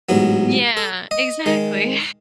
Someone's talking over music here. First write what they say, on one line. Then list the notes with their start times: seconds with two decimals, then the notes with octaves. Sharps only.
Yeah, exactly.
0.09 A1 G#2 F#3 B3
0.77 A4
1.11 D#5
1.46 D#3 G#3